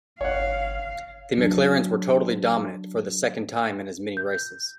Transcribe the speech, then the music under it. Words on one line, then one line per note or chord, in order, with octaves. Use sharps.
The McLarens were totally dominant, for the second time in as many races.
G1 C#5 F5 F#5
F#3 D4
G6